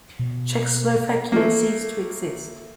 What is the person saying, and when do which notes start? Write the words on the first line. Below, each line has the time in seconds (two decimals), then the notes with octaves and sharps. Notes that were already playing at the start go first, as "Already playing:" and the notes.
Czechoslovakia ceased to exist.
0.19 B2
1.32 A3 A#3